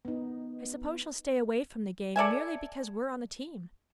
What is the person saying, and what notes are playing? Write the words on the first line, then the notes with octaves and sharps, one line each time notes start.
I suppose she will stay away from the game merely because we are on the team.
B3 D#4
A4 D5 E5 G#5